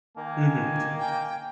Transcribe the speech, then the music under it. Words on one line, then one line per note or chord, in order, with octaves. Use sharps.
Mhm. T
D#3 A#3 G#5
G5